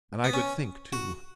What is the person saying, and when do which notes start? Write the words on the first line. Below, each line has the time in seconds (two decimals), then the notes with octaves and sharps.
And I could think, too.
0.24 B3
0.33 C#4
0.93 F#4